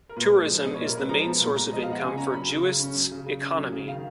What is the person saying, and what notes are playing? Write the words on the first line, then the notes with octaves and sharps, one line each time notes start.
Tourism is the main source of income for Juist's economy.
A#4
A#2 B4
G#3
F3
B3 D#5
C#5
A#2
A#4
G#3 B4
F3 A#5
B3
A#2
G#3 A#5
F3 D#5
B3 F5
F#5
C#3 G#5
C#4 A#5
F#3 B5
C#3
C#3
C#4
F#3
C#3
C#3
C#4
F#3
C#3
D#3 F5